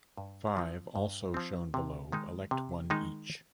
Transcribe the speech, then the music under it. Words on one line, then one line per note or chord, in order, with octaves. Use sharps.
Five, also shown below, elect one each.
G2
F3 C4
G2
F3 C4
C3
D#3 G#3 D#4
C3
D#3 G#3 D#4